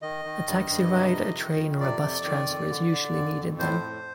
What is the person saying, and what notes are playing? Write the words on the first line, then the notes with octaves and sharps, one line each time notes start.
A taxi ride a train or a bus transfer is usually needed then.
D#3 D#5
D#3
G2
G2
C3
F2
D#3
F2
C3 D5
F2
D#3
F2
D3
D3
F2
F2
A2 C5
A2